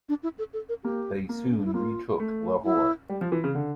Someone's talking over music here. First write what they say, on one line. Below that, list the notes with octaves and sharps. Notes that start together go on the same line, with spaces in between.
They soon retook Lahore.
D4
E4
A4
A4
A#4
A#3 G4
A#3
C#4
D4
E4
A#3 F4
A3
E4
G3
F3
E3
C#3
D3